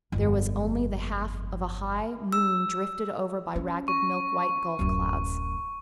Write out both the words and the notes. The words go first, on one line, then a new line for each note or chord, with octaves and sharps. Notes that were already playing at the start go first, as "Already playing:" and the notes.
There was only the half of a high moon drifted over by ragged, milk-white gulf clouds.
G1 F2
E6
C#4
C#6
D1 F#2